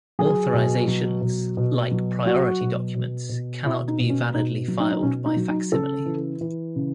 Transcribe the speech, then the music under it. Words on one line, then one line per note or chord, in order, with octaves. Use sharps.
Authorisations, like priority documents, cannot be validly filed by facsimile.
F#3 G#4
B2
F#3
B2
B2
F#3
F#3 F#4
B2
B2
B2
B2 E4
D#4
B2
C#4
B2 D#4
F#3
D#4
D#4
B2 C#4
D#4
F#3
D#4
C#3 A4
E3
E3
C#3